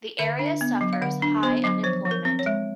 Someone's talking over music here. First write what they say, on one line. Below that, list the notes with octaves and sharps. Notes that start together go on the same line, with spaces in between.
The area suffers high unemployment.
D3 E5
D4
E5
B3
F#3
F5
D3 F#5
D4
B3 C5
F#3
F3 C5
F3
A#4
C4
C#5
G#3